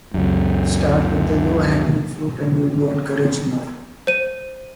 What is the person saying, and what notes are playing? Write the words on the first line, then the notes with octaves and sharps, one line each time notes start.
Start with the low hanging fruit and you'll be encouraged more.
C#2 F#2
C5 D#7